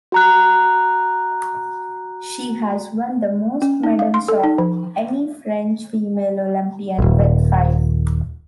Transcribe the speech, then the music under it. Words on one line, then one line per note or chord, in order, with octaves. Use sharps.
She has won the most medals of any French female Olympian, with five.
F#4 A#5 F#6
C#4
D#4
F5
C6
A4
D#4
F3
D#1 G#1